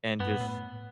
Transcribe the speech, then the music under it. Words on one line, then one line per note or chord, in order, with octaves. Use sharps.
and just
G2 B3
A#2
A2